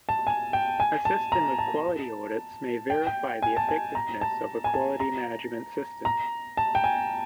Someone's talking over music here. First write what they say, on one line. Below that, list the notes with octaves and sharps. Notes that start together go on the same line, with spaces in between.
A system of quality audits may verify the effectiveness of a quality management system.
A5
G#5
G5
G#5
A5
A#5
A5
G5
G5
G#5
A5
G#5
A#5
A5
G#5
A5
A#5
A#5
A5
G5
G#5